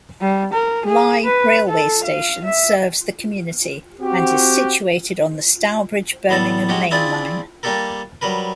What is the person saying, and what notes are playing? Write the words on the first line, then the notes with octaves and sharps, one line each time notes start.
Lye railway station serves the community, and is situated on the Stourbridge-Birmingham mainline.
G3
A#4
G#4
B4
A4
F5
E5
C4 F#4 G4
A1 G3 B3 A4 A5
F#3 G#3 C#4 F#4 G4
C4 D4 E4 F4 G#4 D5
G3 A#3 D4 G4 A4 A#4
F#3 G3 A#4 B4